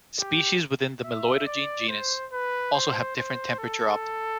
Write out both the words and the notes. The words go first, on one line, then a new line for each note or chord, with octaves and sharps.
Species within the "Meloidogyne" genus also have different temperature optima.
G4
E5
D5
C5
B4
C5
C5
A4